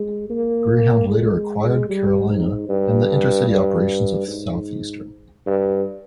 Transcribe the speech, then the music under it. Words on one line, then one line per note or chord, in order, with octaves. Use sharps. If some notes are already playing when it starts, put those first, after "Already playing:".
Greyhound later acquired Carolina and the intercity operations of Southeastern.
Already playing: G#3
A#3
G#3
G3
G#2
G2
G2
G#2
G2